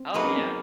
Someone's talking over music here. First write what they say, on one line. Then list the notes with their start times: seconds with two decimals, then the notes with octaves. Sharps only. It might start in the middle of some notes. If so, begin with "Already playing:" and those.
Oh, yeah.
Already playing: C4
0.14 F#3 A#3 D#4 G#4 B4
0.24 C#4
0.37 C4